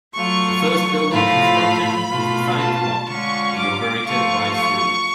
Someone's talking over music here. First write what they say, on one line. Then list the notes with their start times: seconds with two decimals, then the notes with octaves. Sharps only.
The first building constructed was the science block, inaugurated by Sri.
0.14 F#3 A3 F4 C#6
1.12 A2 F3 A3 F4 B5
2.09 B2 A3 F4
2.58 A5
3.07 D3 G#3 C#4 F4 C#6
3.56 D6
4.05 F3 A3 F4 C#6
4.53 C#6